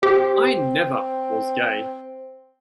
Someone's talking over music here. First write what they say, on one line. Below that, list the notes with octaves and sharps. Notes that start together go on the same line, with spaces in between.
I never was gay.
C4 G4